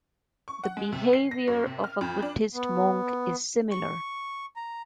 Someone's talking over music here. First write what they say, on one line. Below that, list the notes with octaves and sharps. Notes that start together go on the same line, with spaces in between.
The behavior of a Buddhist monk is similar.
C#6
F#5
G#3
C3
C7
A#6
F#2
C3
F6
F2
D4
B3
C#6
A#5